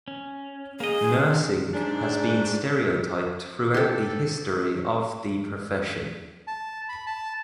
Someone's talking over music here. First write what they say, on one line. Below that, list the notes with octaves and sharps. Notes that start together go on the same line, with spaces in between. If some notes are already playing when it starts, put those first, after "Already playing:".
Nursing has been stereotyped throughout the history of the profession.
C#4
A#3 G#4 D#5
D4 C5
G#2 D4
G4 A4
A5
B5
A5